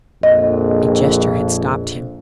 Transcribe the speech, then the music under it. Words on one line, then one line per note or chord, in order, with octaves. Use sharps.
A gesture had stopped him.
A#1 F2 D#5